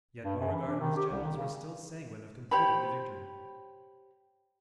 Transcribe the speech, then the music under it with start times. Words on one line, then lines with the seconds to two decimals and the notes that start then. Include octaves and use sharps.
Yet Beauregard and his generals were still sanguine of completing the victory.
0.24 G2
0.40 F#2
0.52 E3
0.67 D4
0.80 D#3
0.97 G4
1.12 C2
1.24 D#3
1.36 C#3
2.51 G4 C5 C#5 B5